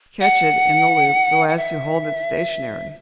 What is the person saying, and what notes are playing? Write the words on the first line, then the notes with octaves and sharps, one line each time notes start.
Catch it in the loop, so as to hold it stationary.
F#5
F#5
E5